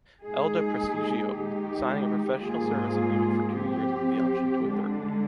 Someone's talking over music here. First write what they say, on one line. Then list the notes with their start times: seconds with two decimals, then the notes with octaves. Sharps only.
Elda Prestigio, signing a professional service agreement for two years with the option to a third one.
0.21 A#2 G#3 D#4 G#4
1.33 D#3 G#3 D#4 G4
2.44 G#2 G3 A#3 F4 G#4
3.55 F3 C4 G4
4.66 D3 G#3 D4